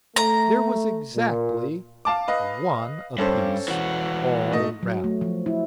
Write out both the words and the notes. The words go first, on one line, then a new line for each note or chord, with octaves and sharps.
There was exactly one a-piece all round.
A3 A#5
A#2
F5 A5 D6
B4 D#5 F5
G2 C#4 A4 C5
E3 F#4
G#2 A3 D#5
F#3
A3
F3
E4